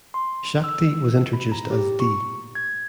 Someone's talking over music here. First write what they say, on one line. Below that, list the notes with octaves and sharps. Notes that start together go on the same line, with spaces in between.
Shakti was introduced as 'D.
C6
E6
B5
A#5
G4
C#6
G#6